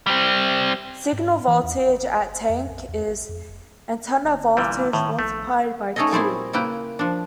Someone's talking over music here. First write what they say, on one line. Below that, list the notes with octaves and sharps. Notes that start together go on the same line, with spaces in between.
Signal voltage at tank is antenna voltage multiplied by "Q".
G3 C4
G#2
E3
E2
G#1
G1
F2
A#1
E2
A1
F2
F1
G1
A#2 E3 G3
A2 D#3
A#1 A3
A3 C#4 D#4 G#4 A4 D#5
A#2 G3 C4 E4 G#4
C#3 A#3 E4 B4 G5
F3 D4